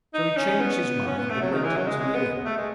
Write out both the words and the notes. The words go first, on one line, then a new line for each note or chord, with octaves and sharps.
So he changed his mind, and went into the inn.
D#4
C#4
B3
C#4
B3
A3
F#3
D#3
E3
F#3
G#3
G#3
B3
A3
G#3